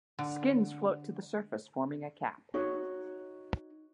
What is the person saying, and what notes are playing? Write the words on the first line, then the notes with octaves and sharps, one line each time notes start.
Skins float to the surface, forming a cap.
D3
D#4 F#4 C#5